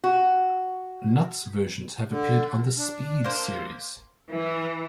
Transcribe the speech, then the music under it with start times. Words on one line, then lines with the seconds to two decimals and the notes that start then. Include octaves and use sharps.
Nuts versions have appeared on the "Speed" series.
0.04 F#4
2.09 D3
2.77 D4
3.24 A#3 C5
4.31 E3